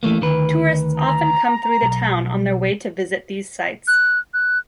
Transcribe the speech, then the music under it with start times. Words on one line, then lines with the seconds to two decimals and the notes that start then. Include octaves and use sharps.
Tourists often come through the town on their way to visit these sites.
0.03 E3 A3 A#3
0.21 D2 D#3 B4
0.95 A#5
1.82 B1
3.88 F#6
4.34 F#6